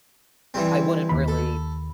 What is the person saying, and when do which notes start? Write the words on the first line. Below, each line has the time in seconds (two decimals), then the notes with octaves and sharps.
I wouldn't really
0.54 E3 G3 C4
1.09 D#2 B5
1.28 A4